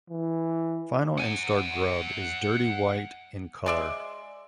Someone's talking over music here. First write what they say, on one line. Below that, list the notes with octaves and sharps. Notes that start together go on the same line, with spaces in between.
Final instar grub is dirty white in color.
E3
F#5 G#5
G#3 D5 E5